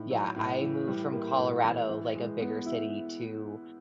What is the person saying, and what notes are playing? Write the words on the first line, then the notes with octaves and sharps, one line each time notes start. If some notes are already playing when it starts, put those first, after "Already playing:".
Yeah, I moved from Colorado, like, a bigger city to,
Already playing: A2 D#4
F#3
A2
E3
G3
A#3
A2
E3
E3
G#3
B3
E4